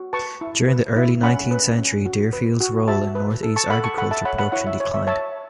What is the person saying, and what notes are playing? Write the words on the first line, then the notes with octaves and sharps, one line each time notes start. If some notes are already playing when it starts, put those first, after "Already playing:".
During the early nineteenth century Deerfield's role in Northeast agricultural production declined.
Already playing: F#4
B4 A5 C#6
E4
B4
E4
C#4 F#5 B5
B4
C#4
F#4
B4
F#4
F#4 E5 A5
B4
A4
A5 C#6
A4 F#5 B5
A5 C#6
A4 F#5 B5
E5 A5
C#5 F#5 B5
F#5 B5
E4 C#5 F#5
E5
C#5
E5
C#5 E5 A5